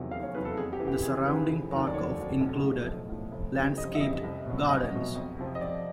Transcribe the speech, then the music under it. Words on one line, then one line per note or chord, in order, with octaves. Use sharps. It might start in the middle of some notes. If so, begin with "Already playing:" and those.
The surrounding park of included landscaped gardens.
Already playing: F1 E2 C3 D#3 F#3 F#5
F1 F5
C#5
E2 C3 D#3 F#3 B4
A4
F2 G#4
G4
C#3 E3
G4
F2 G#4
C#3 E3 B4
F1
D#2 D#3 F#3
D5
F1 C#5
D#2 D#3 F#3
B1
A2 F3
B1
A2 F3
F1
F2 C#3 E3 G3
F1 D#5
E5
F2 C#3 E3 G3 D#5
C2
B2 F#3
C2 D#5
B2 F#3
F2
C3 F3
D#5
F2 D5